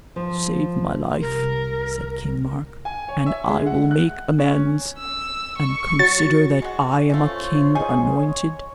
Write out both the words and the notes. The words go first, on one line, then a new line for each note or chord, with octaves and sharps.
Save my life, said King Mark, and I will make amends; and consider that I am a king anointed.
F3
C2 A#4
G#5
C#5
E5
G#3
F#5
F#6
C#4
E6
C#6
F#3 A6
G#3 F#4
A3 A#3 C#4 F4 C5 C#5
D#4 G#4 G#5
C#5